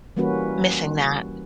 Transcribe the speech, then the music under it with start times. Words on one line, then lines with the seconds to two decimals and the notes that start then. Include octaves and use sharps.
Missing that.
0.16 E3 G3 A#3 C#4 F#4 B4